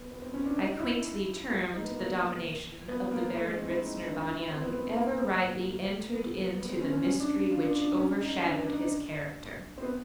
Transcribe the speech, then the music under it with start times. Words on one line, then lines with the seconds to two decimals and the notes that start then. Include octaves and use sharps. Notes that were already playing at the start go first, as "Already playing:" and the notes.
I quaintly termed the domination of the Baron Ritzner von Jung, ever rightly entered into the mystery which overshadowed his character.
Already playing: B3
0.11 B3
0.22 C4
0.34 C#4
0.46 D4
0.57 D#4
0.80 E4
1.50 F#4
1.73 D#4
1.84 B3
1.96 A#3
2.88 B3
3.11 A#3
3.34 A3
3.46 G#3
3.58 C4
3.69 E4
3.81 D#4
4.04 D4
4.27 E4
4.39 E4
4.50 C4
4.62 B3
4.73 B3
4.96 A#3
6.12 B3
6.35 A#3
6.58 B3
6.70 C4
6.81 C#4
6.93 C#4
7.04 C#4
7.20 D4
7.51 F4
7.67 D4
7.82 D4
7.97 C#4
8.20 D#4
8.43 D4
8.66 D4
8.74 D#4
8.82 D4
9.78 C4
9.82 B3